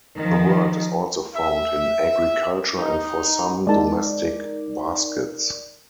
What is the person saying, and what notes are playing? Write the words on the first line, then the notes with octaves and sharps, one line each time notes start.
The word is also found in agriculture and for some domestic baskets.
D#3 F3
E5
D#4
G#3 D#4 A#4 D5 A5